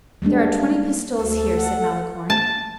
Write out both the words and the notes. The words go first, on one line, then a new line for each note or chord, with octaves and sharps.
"There are twenty pistoles here," said Malicorne.
G3 G#3 A#3 D4
D2 A4
F#5
A5